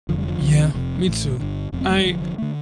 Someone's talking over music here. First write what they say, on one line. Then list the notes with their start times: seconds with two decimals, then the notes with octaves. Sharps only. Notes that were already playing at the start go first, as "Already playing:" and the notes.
Yeah, me too. I
0.09 F1 F2 D3 F3
0.18 G3
0.28 F3
0.41 C2 C3
0.74 F1 F2 C3
1.07 A1 A2
1.40 G1 G2 D3
1.72 F1 F2 C3
1.81 C4
1.89 A3
1.98 G3
2.05 F1 F2 D3 F3
2.22 F3
2.38 D3 A3